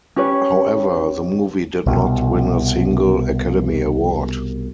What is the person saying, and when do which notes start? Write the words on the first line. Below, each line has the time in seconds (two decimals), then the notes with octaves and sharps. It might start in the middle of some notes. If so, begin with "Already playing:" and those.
However, the movie did not win a single Academy Award.
0.16 C#4 G4 B4 C#5
1.86 C2 B2